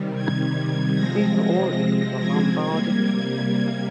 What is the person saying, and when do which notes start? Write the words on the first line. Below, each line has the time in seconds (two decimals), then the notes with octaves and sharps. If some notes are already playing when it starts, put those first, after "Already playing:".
These were all linked to the Lombardy cluster.
Already playing: C3 D#3 G3
0.15 G#6
0.97 C3 F3 G#3 C4 A#6
2.20 G#6
2.61 C3 G3 A#3 G#6
3.43 G#6